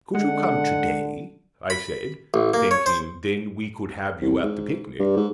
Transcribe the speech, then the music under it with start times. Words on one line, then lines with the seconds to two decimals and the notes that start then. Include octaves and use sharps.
"Could you come to-day?" I said, thinking "then we could have you at the picnic!"
0.15 D3 G#3 F#5
1.70 B5
2.34 A1
2.54 A#3
2.71 C#5
2.86 C5
4.22 C2
4.43 G#2
4.99 G2
5.17 G#2